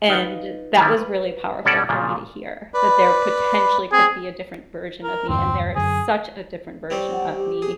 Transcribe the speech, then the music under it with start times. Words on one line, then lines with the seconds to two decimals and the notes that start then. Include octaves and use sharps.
and that was really powerful for me to hear, that there potentially could be a different version of me, and there is such a different version of me,
0.08 D#4 F4 B4
0.79 D#3 G3 E4
0.98 B4
1.65 B2 G3 C#4 A4 D5 F#5
1.89 A#2 C#3 F3
2.74 B4 D5 B5
3.92 C4 G#4
5.03 A#4
5.29 E2 G2 D3 C4
5.76 F#2 D3 G#4
6.90 G3 C4 C#5
7.12 F#5
7.34 G4
7.62 G#4